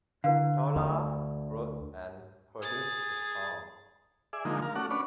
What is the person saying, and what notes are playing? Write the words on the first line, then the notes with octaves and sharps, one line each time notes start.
Dolla wrote and produced the song.
D3 E4 B4 F5
D2 B5 D#6
G#4 A6
G#4 D5 E5
D3 F3 G#3 A#3 D#4
A#4 F5
A3 C#4 F#4 D5 F#5
C#4 D4 B4 C#5 D5